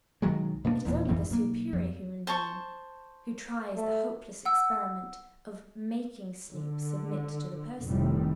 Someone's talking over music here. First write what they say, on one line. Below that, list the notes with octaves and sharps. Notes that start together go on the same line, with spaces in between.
It is only the superior human being who tries the hopeless experiment of making Sleep submit to the Person.
B1 D#3 F#3 G#3
B2 A#3 C4 D4
D#1 E2 A#2
G1 F2 G#2 E3
B1 A#3
F2
C5 A5 C#6
A3
F#5 E6
D3
F1 A2 C3 D#3 G3